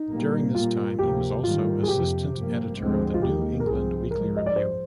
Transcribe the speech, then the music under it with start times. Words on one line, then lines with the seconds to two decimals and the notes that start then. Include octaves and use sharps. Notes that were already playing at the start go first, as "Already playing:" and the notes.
During this time he was also assistant editor of the "New England Weekly Review".
Already playing: D#4
0.09 A#2 G3 A#3
0.54 A#2 G3 A#3 F4
0.98 D2 C3 F3 A#3 G4
1.43 G#2 D#3 G3 A#3 F4
1.83 G#4
1.88 F2 C3 F3 G4
2.33 G2 F3 A#3
2.78 D2 D3 F3 G#3 C4
3.14 F4
3.22 D#2 D#3 A#3 G4
3.60 A#4
3.66 C2 C3 F3 C4 G#4
4.11 G#2 F3 G#3 A#4
4.37 D#5
4.46 D5
4.56 C5